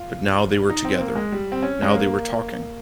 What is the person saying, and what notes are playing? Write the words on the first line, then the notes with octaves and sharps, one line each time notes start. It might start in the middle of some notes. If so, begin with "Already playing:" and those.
But now they were together; now they were talking.
Already playing: F4
D#4
C4
A#3
G#3
G3
C4
C#4
G#3
A#3